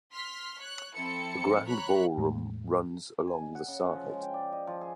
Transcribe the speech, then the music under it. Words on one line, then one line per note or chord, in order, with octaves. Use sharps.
The grand ballroom runs along the side.
C6 F6 B6
C#5 F#6
F3 C4 E4 A4 C#7
C#5 A#5 B5 F#6
E2 A2 G#3
G#5
D#5
F#5
C#3
C#3
F3
G#3
G5
D5
D#5
F3
G#4